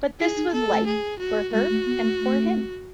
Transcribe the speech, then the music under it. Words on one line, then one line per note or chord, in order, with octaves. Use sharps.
But this was life for her and for him.
E4 G#4
D#4
B3 A4
A3
G#4
F#4
G#3 F#4
A3
B3
A3
A3